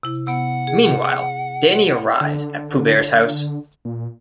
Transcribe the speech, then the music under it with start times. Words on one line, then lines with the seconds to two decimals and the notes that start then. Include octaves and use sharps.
Meanwhile, Danny arrives at Pooh Bear's house.
0.03 C3 E4 E6
0.27 C3 B3 F#5
0.67 G#4
2.21 D3
3.85 A#2